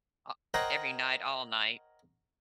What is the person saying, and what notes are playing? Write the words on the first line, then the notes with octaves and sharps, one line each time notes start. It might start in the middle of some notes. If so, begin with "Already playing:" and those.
a every night, all night.
A#4 C5 C#5 D#5 F#5 G5